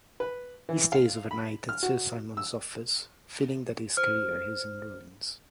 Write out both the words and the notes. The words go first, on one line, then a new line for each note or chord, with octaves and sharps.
He stays overnight at Sir Simon's office, feeling that his career is in ruins.
B4
E3
F5
B5
F6
F#4
E6
C5 F6